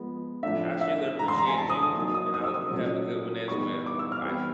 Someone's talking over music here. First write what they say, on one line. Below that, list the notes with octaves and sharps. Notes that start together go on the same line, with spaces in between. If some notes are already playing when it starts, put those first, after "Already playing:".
I surely appreciate you, and I hope you have a good one as well. Bye.
Already playing: F3 G#3 B3
A2 F3 A3 D4 E5
E5
A2 E3 G#3 A#5
C6
A#5
G#5
A5
D#6
D#6
F#3 A#3 D#4 D#6
D#6
D#6
E6
D#6
A#2 F#3 A3 C#4
E3 G3 B3 D#4 C#6
D6
E6
F6
E3 G3 B3